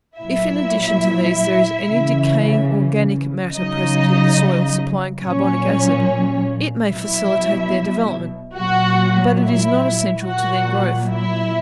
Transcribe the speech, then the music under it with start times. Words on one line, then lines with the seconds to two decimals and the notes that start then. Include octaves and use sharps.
If, in addition to these, there is any decaying organic matter present in the soil supplying carbonic acid, it may facilitate their development; but it is not essential to their growth.
0.19 A#2 F#3 E4 E5
1.88 C#3 E3
3.55 C#3 F#3 D#4 D#5
5.22 A#2 F#3 C#4 C#5
6.90 B2 F#3 E4 E5
8.57 A#2 F#3 F#4 F#5
9.41 E4 E5
10.25 A#2 F#3 F#4 F#5
11.09 E4 E5